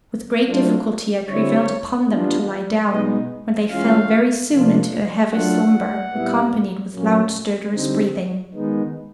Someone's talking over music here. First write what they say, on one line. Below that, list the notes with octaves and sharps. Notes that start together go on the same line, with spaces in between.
With great difficulty I prevailed upon them to lie down, when they fell very soon into a heavy slumber, accompanied with loud stertorous breathing.
F#3 A3 D4 F4
D3 G3 C4 E4 C#5
E3 G3 B3 D4 F4
B2 G#3 B3 D#4 D#5
E3 G#3 C#4 F4 F5
C3 F3 A#3 D4 F4
F#3 A3 D4 F4 F#5
A#2 G3 B3 E4
A#2 F#3 A#3 C#4
D3 G3 C4 D#4
D#3 G#3 B3 D#4